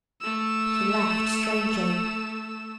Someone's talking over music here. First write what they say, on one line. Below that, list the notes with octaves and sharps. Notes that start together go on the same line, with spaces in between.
She laughed strangely.
A3 E6